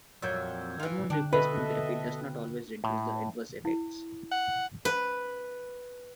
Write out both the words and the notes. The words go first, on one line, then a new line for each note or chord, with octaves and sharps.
Hormone replacement therapy does not always reduce the adverse effects.
F2 A#2 F#3 E6 G6 G#6
E3 F4
D3 D4 G5 F#6
B2 A4 B4 D#5 E5
A2
E4
F#5
B4